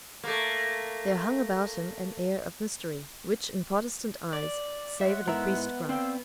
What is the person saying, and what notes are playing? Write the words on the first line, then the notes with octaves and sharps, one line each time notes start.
There hung about him an air of mystery, which, in Protestant eyes, savoured of priestcraft.
A3 A#3
D5
G#3 C#5 E5 F#5
G#2 B3 E4 A#4 E5
C4 D5 F5 G5 E6